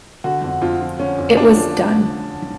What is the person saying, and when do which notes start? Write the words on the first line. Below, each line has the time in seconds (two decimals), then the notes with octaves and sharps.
It was done.
0.24 D3 F#4
0.44 F2
0.61 F2 F4
0.81 F3
0.99 D3 C#4
1.18 F2
1.37 F2 D4
1.56 F3